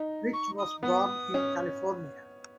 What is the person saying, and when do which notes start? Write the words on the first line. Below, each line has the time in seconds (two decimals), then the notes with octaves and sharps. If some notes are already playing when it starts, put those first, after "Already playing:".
Rich was born in California.
Already playing: D#4
0.33 C#6
0.58 D#6
0.83 B3 D#6
1.34 C#4